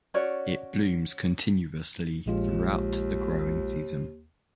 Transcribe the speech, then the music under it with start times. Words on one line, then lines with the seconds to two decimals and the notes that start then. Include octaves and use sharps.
It blooms continuously throughout the growing season.
0.14 C#4 F#4 C#5 D5
2.26 A#1 D#2 G#3 F4